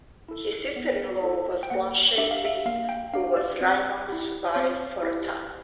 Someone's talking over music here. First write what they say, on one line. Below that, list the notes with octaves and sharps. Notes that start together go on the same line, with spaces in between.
His sister-in-law was Blanche Sweet who was Raymond's wife for a time.
E4 A4
B3
E4 A4
G5
A#3 F#5
D4 G4 E5
F5
E5
A#3 F5
G5
D4 G4 F5
D5
C4
E4 G4
C4 C#5
E4 G4